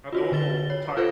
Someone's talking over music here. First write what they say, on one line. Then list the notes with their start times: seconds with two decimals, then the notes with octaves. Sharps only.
a normal type,
0.13 F4 F#4 C#5
0.32 D3 B4 A6 G7
0.70 C#5
0.97 F4 A4 B4 C5 F5